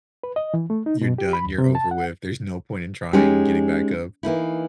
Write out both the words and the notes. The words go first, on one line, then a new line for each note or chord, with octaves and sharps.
You're done, you're over with, there's no point in trying getting back up.
B4
D#5
E3
A3
D#4
B2
G4
B5
D#2
C3
A5
F#5
G#3 C#4 D#4 G4
E3 A#3 D#4 E4